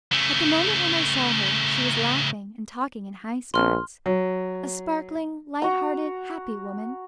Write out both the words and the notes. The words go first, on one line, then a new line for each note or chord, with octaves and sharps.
At the moment when I saw her she was laughing and talking in high spirits--a sparkling, light-hearted, happy woman.
C#3 A3
A#1 C6 F6
F#3
F#4 A#5